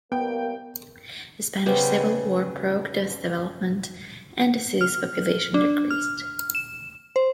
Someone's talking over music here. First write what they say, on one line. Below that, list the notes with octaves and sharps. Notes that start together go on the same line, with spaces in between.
The Spanish Civil War broke this development, and the city's population decreased.
C2 A#3 B3 G5
C#3 G3 B3 C5
F6
D4
F6
E7
C5